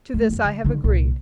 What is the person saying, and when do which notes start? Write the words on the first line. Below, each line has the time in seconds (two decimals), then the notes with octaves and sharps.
To this I have agreed.
0.14 A3 A#3
0.30 F#2 B3
0.45 D3
0.64 D3 D#3
0.84 C2 A#2